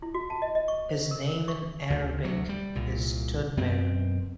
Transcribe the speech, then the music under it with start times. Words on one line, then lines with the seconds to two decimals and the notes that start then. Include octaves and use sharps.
His name in Arabic is Tudmir.
0.02 E4
0.14 F#4
0.30 A5
0.42 D#5
0.55 D#5
0.68 C#6
0.89 C5
1.11 A#4
1.28 A#4
1.48 C#6
1.90 D2
2.23 D2 F#3
2.49 G3
2.75 C2 A#2
3.57 F#2 B2 C4